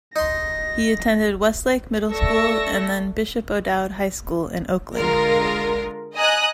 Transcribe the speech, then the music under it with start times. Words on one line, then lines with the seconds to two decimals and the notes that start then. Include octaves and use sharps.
He attended Westlake Middle School and then Bishop O'Dowd High School in Oakland.
0.16 D#4 C6 A#6
2.10 A3 A4 D5 C#6 E6 A#6
4.97 D3 G#3 F4 A#4
6.15 D#5 G#5 A#5 D#6 F#6